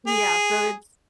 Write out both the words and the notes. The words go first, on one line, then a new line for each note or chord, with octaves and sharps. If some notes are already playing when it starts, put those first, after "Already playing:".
Yeah, so it's
G#4